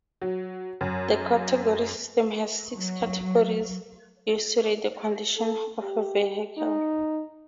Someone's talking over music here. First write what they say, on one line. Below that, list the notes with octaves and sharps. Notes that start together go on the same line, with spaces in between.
The category system has six categories used to rate the condition of a vehicle.
F#3
F#2
F#3
A4
G4
D#4